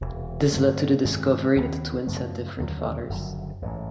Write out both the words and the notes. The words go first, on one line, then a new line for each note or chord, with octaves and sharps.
This led to the discovery that the twins had different fathers.
E1 E2 C3 E3
G2 D3 F#3 A3
G2 D#3 G#3 C4
D#2 D#3 F#3 B3
F#2 C#3 F3 A3
D#2 D3 F#3
F#1 F#2 D3 F3
A1 G#2 E3